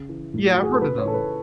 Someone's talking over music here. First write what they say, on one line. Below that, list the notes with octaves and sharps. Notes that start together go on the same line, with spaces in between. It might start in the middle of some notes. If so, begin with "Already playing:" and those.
Yeah, I've heard of them.
Already playing: C#3
E3
A2
F#4
E3
G#4
A4
C#3 B4
C#5
E3 A4
B4